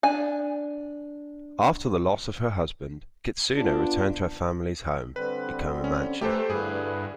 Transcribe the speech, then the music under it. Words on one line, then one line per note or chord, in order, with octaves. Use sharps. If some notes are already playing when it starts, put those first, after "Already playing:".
After the loss of her husband, Kitsuno returned to her family's home, Ikoma mansion.
D4 G#5
B3 D4 F4
D3 G3 C4 B4
C#4
A3 G4 A4 B4 C5 G#5 A#5
G2 D3 E4 G#4 B4